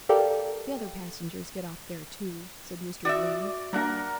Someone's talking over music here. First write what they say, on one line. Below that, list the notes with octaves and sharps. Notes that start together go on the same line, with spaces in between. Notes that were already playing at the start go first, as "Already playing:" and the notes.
"The other passengers get off there, too," said Mr. Bloom.
G4 A4 A#4 D5 F5 G5
F#4 D5 E5 D#6
G3 A#3 D4 A#4 F#5 A#5